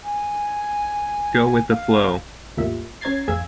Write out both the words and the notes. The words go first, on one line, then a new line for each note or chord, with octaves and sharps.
Go with the flow.
G#5
F5
E2 A2 G3 A#3 F4 E5
C#4 C#5 A#5 G#6 A6 C7
A1 F2 G#4 F5 E6 G#6